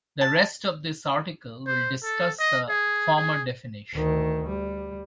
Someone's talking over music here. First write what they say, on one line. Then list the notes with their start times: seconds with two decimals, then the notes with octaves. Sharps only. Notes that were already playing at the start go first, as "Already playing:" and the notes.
The rest of this article will discuss the former definition.
0.21 A5
1.67 C5
2.03 A4
2.39 D#5
2.69 G#4
3.16 G#4
3.94 D2 D#3
4.49 G3